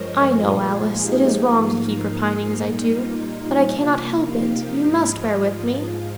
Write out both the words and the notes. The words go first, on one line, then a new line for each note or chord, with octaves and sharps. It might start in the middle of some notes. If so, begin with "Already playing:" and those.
'I know, Alice, it is wrong to keep repining as I do, but I cannot help it: you must bear with me.'
Already playing: G2 F3 G#3 A#4 C5 C#5 D#5
A#2 F3 G#3 F4 G#4
D#4 G4
G#2 F3 A#3 F4
D#4
D#4
A#2 G3 A#3 D#4
F4
D#4
F4
C3 F3 A#3
D#4 G4
F4
G#2 F3 G#3